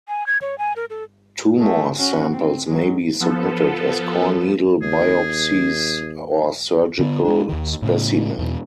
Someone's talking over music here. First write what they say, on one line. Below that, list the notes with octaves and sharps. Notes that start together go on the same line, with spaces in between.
Tumor samples may be submitted as core needle biopsies or surgical specimen.
G#5
G#6
C#5
G#5
A#4
A4
G#3 A3
C#4 F#4
C4
F#3 G#3
F3 B3 A4
D#2 G#4
D3 B3
G#3 D4
D#2 D#3
A2 C#3
E2 B2